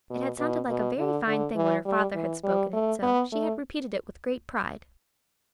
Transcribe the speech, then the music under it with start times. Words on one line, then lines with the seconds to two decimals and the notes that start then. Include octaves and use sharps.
It had sounded like a very fine thing when her father had spoken it, so she had repeated it with great pride.
0.10 B2
0.39 B2
0.69 B2
0.98 D3
1.27 D3
1.56 E3
1.86 G3
2.15 E3
2.44 G3
2.73 A3
3.02 B3
3.32 A3